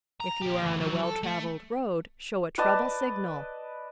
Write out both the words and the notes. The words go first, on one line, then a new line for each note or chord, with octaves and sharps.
If you are on a well-traveled road, show a trouble signal.
A#5
A#2 G4
D2 E3
F3 F#3
A4
A3
B4 D5 D#5 A5